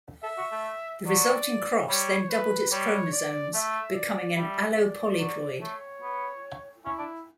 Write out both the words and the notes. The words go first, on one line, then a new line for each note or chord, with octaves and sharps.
The resulting cross then doubled its chromosomes, becoming an allopolyploid.
A4 E5
F#4
A3
F#3 D5
G3 C#5
B4
G3 C#5
D5
A3 E5
D5
G3 E5
D5
F#3
A3 C#5
B3
C#4 E4
D4